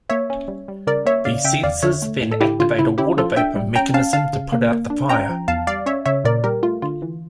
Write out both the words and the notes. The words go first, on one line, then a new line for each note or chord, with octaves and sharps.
These sensors then activate a water vapor mechanism to put out the fire.
A#3 C#5 E5
C#4
G3
G3
C#3 A#4 D5
A#3 C#5 E5
C#3 D5 F5
C#3 E5 G5
E2 D5 F5
D3 C#5 E5
A3
A2
A4
D3 E4 G4
D3 F4
C#3 E4
C#4 E4 G4
F3 F4 A4
D4 E5 G5
G3
C#4 G5 A#5
C#4 F5 A5
D3 F5 A5
C#3
A#3
A#3
D4
C#4 G5 A#5
F3
E2 F5 A5
G3 D5 F5
C#4 C#5 E5
C#3 C#5 E5
A#2 A#4 D5
G3 G4 A#4
A3 F4
D3 F4
E3